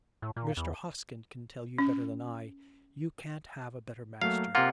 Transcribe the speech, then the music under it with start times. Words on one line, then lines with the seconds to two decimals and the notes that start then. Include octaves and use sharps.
'Mr. Hoskin can tell you better than I. You can't have a better master.'
0.22 A2
0.36 A#2
0.57 E2
1.78 C#4
4.22 F#3 A3 A#3 F5
4.55 C3 A#3 F4 F#5